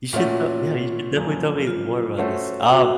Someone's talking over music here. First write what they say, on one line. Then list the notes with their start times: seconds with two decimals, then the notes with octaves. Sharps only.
you should, uh Yeah, you should definitely tell me more about this. Um,
0.13 A#2 A3 C#4 F4 F#4
1.16 F#2 C#3 F3 A#3
1.67 F4
2.18 A3 C#4 F#4 A4 C5
2.70 F#4